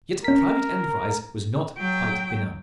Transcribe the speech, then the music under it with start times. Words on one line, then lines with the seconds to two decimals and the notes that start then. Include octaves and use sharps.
Yet private enterprise was not quite benumbed.
0.24 C#4 A#4 B6
1.78 F#3 G5